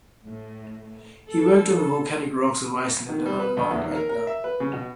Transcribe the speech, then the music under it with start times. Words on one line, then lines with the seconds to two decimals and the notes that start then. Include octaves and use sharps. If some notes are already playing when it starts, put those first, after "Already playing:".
He worked on the volcanic rocks of Iceland and on Mount Etna.
0.24 A2
1.27 A4
3.09 D#3
3.26 G3
3.40 B4
3.57 D2
3.71 E2
3.84 D#2
3.96 A#4
4.09 A#4
4.27 E5
4.44 B4
4.60 C#3
4.73 B2